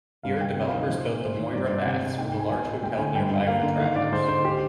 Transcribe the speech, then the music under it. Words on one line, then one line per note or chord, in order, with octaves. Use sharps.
Here developers built the Moira Baths, with a large hotel nearby for travellers.
G2 F5
G#3 G5
C3 G5
F5
D#3 D#5
F3 C5
A#2 D5
G#2 C5
D#3
G2 D5
C5
G2 D5
C3
G#3
G#2 G5
G5
G#2
G#5
G#3 G#5
A#2
G#3 G5
D3 G#5
G2 G5
G2
A#3 F5
D3
D#5
D#3 F5
G#2 D5
G#3 C5
D3 C5
G4